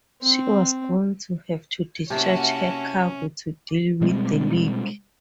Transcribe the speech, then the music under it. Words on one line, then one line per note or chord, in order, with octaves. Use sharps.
She was going to have to discharge her cargo to deal with the leak.
C4
C3 A#3 C#4 E4 F#4 A5
B2 G3 G#3 C4